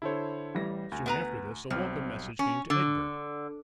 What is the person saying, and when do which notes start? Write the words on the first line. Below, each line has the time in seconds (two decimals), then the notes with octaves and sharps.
Soon after this a welcome message came to Egbert.
0.02 D3 E4 A4 C5 C#5
0.55 A1 G3 A#6
0.92 D2 G#5
1.06 B3 B4 A#5
1.70 B1 G3 C4
2.39 C#4
2.70 D3